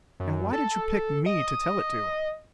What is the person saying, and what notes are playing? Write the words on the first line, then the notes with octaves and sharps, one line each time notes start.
"And why did you pick me to tell it to?"
F#2
A4
D#5